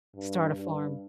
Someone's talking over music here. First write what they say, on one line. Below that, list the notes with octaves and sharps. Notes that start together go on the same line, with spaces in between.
Start a farm.
G2
G2